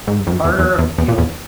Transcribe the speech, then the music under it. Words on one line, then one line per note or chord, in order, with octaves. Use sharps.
Carter appealed.
G#2
G2
F2
F#2
E2
E2
E2
E2
A#2
E2